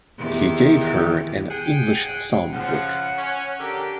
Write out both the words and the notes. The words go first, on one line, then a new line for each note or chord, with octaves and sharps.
He gave her an English psalm book.
E2 D#3 G4
G#4 F#5 G5
C#3 F3 F#5
C#4
D3 G4 A#4